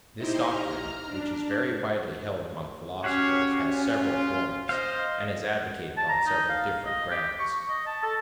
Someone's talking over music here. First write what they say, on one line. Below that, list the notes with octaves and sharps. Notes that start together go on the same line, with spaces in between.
This doctrine, which is very widely held among philosophers, has several forms, and is advocated on several different grounds.
D#4 E4 G4 C5 D#5 C6
A#5 F6
D4
C#4 F#4 G4 C#5 F5
F4
C5 D#5 F5
A5
A#5
D#4
F5
D#5
G4
C#6
D#5
A5
A4